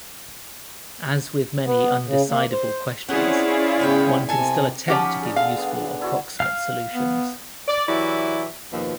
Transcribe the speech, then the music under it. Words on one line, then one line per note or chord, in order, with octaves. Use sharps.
As with many undecidable questions, one can still attempt to give useful approximate solutions.
B3
C#3
A#3
C5
C4 C#4 E4 F4 G#4 C#5 D5 F#5
G#2 C#3 B3 G5
C3 A4 G#5
F3 C#4 D#4 G4 F#5
D4 G#4
D3 F5
B3
D4 E4 F#4
F5 F6
B3
D5
E3 F#3 E4 F#4 G4 D5
D#2 B2 F3